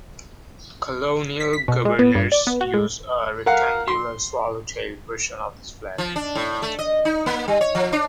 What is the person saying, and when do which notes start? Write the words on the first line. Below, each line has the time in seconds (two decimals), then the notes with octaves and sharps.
Colonial governors used a rectangular swallow-tailed version of this flag.
1.40 B6
1.53 B6
1.68 B2
1.85 G#3
1.99 B3
2.15 G2
2.32 D5
2.47 B3
2.61 F#4
2.74 G#3
3.46 A#4 F5 F#5
3.88 C6
5.98 F3
6.16 D4
6.35 A2
6.62 A3
6.79 D#5
7.05 D#4
7.26 A#3
7.48 G3
7.61 C#5
7.75 F3
7.92 D4